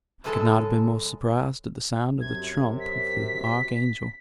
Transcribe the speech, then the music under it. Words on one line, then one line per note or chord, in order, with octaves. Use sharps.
I could not have been more surprised at the sound of the trump of the Archangel.
F#2 C#3 G#3 A4 G#5 A5
F#2 C3 G#6
B6